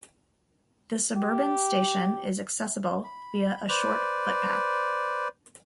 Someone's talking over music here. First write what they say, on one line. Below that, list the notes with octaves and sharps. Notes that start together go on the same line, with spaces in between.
The suburban station is accessible via a short footpath.
G4
B5
B4 C5 D5